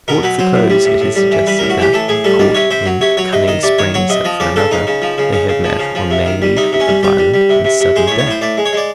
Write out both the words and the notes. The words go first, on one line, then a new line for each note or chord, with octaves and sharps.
Towards the close it is suggested that, caught in a cunning spring set for another, they have met, or may meet, with a violent and sudden death.
B2 A#4
F#3 B4
F#3 C5
A2
G3
A2
A2
G3
E3
G3 B4
A2 A#4
F#4
E3 G4
A2 A4
A2 G#4
G3 A4
D#3 D5
C3 C#5
C3 C5
F#3
C3 C#5
F#3 C#5
C3 D#5
D#3 D#5
C3 D5
D#3 C#5
F#3 C#5
C3 D#5
F3 D#5
C#3 D5
C#3 A4
C#3 D#4
C#3
F3
C#3
C#3
C#3
F3
C#3
F3
C3
D#3
G3
C3 D#4
C3
C#4
G3
G3 G4
G3
G3
C3
C3
C3
G#3 C5
C#5
A2
C#5
A2 C5
A2 D5
G#3
C#5
G#3 D5